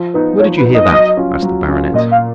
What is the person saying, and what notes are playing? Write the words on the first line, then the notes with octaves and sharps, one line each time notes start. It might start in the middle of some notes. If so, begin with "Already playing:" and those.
"Where did you hear that?" asked the Baronet.
Already playing: F3
B3 D#4
F3 C#5
B4
B3 D#4
D#5
F#3
C#4 F4
F#3
C#4 F4
A#2 D#5
F5